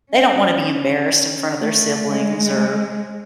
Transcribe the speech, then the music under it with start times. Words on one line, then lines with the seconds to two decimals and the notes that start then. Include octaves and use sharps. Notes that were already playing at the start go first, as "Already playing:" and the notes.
they don't want to be embarrassed in front of their siblings or
0.12 C#4
1.60 A3
2.10 G#3